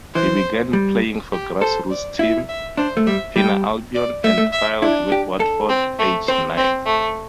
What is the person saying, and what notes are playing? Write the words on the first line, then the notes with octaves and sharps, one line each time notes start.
He began playing for grassroots team Pinner Albion and trialled with Watford aged nine.
E3 C5
G3
G4
A4 C5
D5
E4 E5
E5
D4 C5
A3
G3 E5
G3 G5
D5
A3 E5
A3
E5
D4 E4
G4
A4
C4
A3
C4 C5
C4
A3